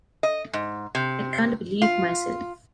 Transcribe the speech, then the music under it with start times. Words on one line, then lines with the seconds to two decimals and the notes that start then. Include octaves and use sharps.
I can’t believe myself.
0.23 D#5
0.53 G#2
0.95 C3
1.82 F4